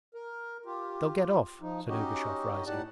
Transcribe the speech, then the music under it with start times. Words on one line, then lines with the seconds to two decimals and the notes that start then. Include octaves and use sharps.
They'll get off,' said Ergushov, rising.
0.14 A#4
0.66 F4 G4
1.62 F3 D#4
1.89 C#4 D#4 F#4 G4 D#5
2.67 A2 D#4 G4 D5 F#5 A5